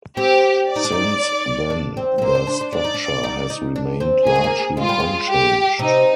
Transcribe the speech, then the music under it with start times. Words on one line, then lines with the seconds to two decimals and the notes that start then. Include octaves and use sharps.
Since then, their structure has remained largely unchanged.
0.17 C4 G4
0.68 D5
0.76 D#4
0.85 D4
0.92 D#4
1.70 D4
1.97 C4
2.18 C4
2.22 A#3 C5
2.35 D4
2.47 D4
2.61 D4
2.73 D4 D5
2.84 D#4
2.94 D4
3.24 D#4
3.50 D#4
3.76 D4
4.00 C4
4.27 A#3 G#4
4.36 G#3
4.44 A#3
4.77 G#3 F4
4.89 G3
5.00 G#3
5.29 G4
5.79 C3 D#4